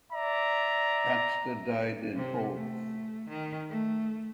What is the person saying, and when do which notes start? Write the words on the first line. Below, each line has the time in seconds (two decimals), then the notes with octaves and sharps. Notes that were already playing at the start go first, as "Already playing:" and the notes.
Baxter died in Hove.
0.12 D5 E5 A#5
2.16 C3
2.54 A3
3.29 D#3
3.70 A3